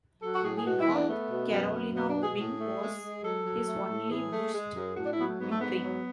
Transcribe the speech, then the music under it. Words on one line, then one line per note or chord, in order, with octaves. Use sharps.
The North Carolina win was his only Busch victory.
F#3 A4
F#4
A2 G#4
G#4
B2 F#4
E4
E2
D4
A3 B3
B2
F#2
F#2
B2 B3
D4
B2
G#4
A2 G#4
A3
G#3
G#3
F#3 A4
F#3
A3
A2
E3 G#4
A3
G#3
F#2
A2 F#4
D4
E4
F#3 B3
A3
G#2 B3
A3
G#2 B3
F#3